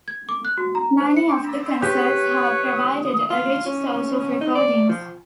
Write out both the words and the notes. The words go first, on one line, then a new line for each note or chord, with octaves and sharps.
Many of the concerts have provided a rich source of recordings.
G#6
D6
F#6
F#4
A#5
C5
C#7
D4
G4 B4 C#5
F4
C#4
D#4
D5
F3